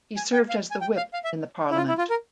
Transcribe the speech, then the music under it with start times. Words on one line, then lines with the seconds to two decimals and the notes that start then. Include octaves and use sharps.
He served as the whip in the Parliament.
0.17 G#5
0.33 G5
0.49 F5
0.71 G#5
0.81 G5
0.97 F5
1.13 F5
1.24 E5
1.71 E4
1.77 F4
1.88 E4
1.98 F4
2.10 A#4